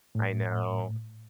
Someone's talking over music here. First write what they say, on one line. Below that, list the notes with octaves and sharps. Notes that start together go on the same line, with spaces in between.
I know.
A2